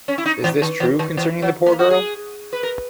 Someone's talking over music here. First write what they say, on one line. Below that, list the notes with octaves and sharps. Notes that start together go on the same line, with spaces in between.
Is this true concerning the poor girl?
C#4
E4
D#4
E3
D#3
E3
D#3
E3
F#3
A#3
F#4
G#4
B4
A#4